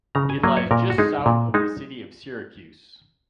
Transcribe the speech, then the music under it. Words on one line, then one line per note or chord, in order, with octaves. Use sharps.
It lies just south of the city of Syracuse.
C#3 A#5
G#5
F#3 A#3 D#5
C#5
A#2 A#4
F#4
G#3 D#4 G#4
A#2
G#3 D#4